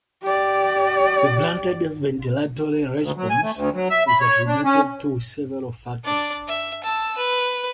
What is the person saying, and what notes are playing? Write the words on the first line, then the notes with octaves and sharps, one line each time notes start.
The blunted ventilatory response is attributed to several factors.
G4 D5
D2
F#3
G#5
A3
D2
F#3
E5
B5
C#5
D4
C#4
D4 D5
E5
A5 E6
B4